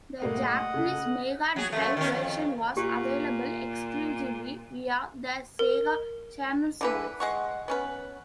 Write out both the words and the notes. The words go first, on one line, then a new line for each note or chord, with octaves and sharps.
The Japanese Mega Drive version was available exclusively via the Sega Channel service.
A2 G3 A#3 D#5 F#5
C#3 A4
F#3 G#4
F#2 A3
D#3 C#4
F2
A#2 G4
A#4
D3 E3 B4
G#3 F#5 C#6
B3 C#4 B4